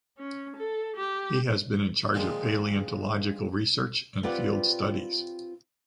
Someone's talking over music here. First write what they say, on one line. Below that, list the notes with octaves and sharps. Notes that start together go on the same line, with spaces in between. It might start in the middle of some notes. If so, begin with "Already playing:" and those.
He has been in charge of paleontological research and field studies.
C#4
A4
G4
A#2 D#3 F3 G#3
C4 F4 G4 B4 D5 F#5